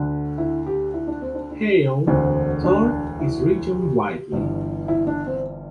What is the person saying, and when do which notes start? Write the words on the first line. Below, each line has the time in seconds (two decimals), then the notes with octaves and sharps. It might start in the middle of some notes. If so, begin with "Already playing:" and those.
Hale toured his region widely.
Already playing: D2 D3
0.38 E4
0.66 G4
0.94 E4
1.07 D4
1.21 C4
1.35 D4
1.51 D4
2.06 E1 D2 D3 C4
2.64 D4
3.19 E4
3.76 G4
4.32 G1 G2 E3
4.88 E4
5.07 D4
5.26 C4